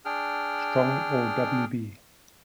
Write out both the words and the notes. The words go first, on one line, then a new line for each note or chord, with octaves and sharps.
Strong or W. B.
D4 G#4 G5 F6